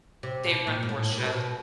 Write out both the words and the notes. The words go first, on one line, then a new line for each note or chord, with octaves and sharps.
they run horse shows,
C3
B2
A#2
G#2
A2
A#2
B2
A#2
B2